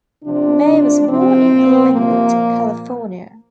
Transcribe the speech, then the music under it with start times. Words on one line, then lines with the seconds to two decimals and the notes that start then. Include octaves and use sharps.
May was born in Lynwood, California.
0.24 C3 F3 D4
0.65 C3 F3
1.08 C3 F3 C4
1.51 A#2 F3
1.93 C3 F3 A#3
2.35 A#2 F3